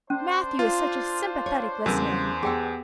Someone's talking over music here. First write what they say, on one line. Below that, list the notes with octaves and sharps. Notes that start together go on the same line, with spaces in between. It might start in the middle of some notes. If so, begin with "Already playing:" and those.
Matthew is such a sympathetic listener.
C#4 D4 C5
F4
C#5
E2 C#3 G3 C4 F#4 A#4
B3 G4 G#4 G5 E6